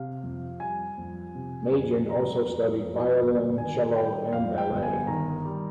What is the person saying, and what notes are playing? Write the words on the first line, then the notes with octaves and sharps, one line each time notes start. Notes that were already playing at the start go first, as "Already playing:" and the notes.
Magin also studied violin, cello and ballet.
Already playing: C3 F5
F2
G3 G#5
F2
C3
F2
G3 A#5
A#5
F2
F2
G1
D#3 G#5
G3 G5
F2 F5
G5
G1
G#5
D#3 A#5
G3